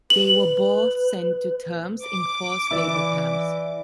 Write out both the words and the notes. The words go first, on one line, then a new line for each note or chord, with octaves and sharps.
They were both sent to terms in forced labor camps.
B4 F#7
D6
E3 E4 D5